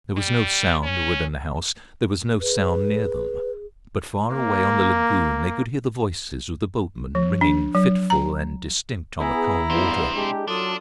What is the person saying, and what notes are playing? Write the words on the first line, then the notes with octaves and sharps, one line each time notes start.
There was no sound within the house, there was no sound near them; but far away on the lagoon they could hear the voices of the boatmen ringing fitful and distinct on the calm water.
G3
C#4
G#4 B4
A#3
F3
D4
F#3
A#5
B3 E4 G#4 A#5
B1 E2 G2 B3 C4
G#3 D4 G4
F#2 F#3 D4 F4 A4 D#6